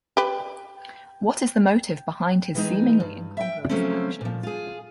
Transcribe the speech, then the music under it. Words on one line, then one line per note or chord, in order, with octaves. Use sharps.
What is the motive behind his seemingly incongruous actions?
G4 B4
E3 G#3 D#4
G2
E5 G5
C#3 F3 F#3 A3 C4 C#4
A#2 F3
F4 G#4